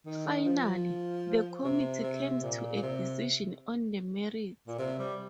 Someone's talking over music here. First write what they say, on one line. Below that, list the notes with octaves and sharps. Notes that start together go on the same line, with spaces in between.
Finally, the Committee comes to a decision on the merits.
D#3
F3
C3
C3
A#2
A#2
C3
A#2
C3
G3